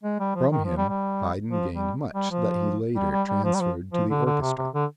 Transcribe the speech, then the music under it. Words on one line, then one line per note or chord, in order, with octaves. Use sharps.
From him Haydn gained much that he later transferred to the orchestra.
G#3
G3
F3
D#3
F3
G3
G3
F3
G3
G3
F3
G3
G3
G3
F3
G3
F3
F3
D3
D3
C3
C3
D3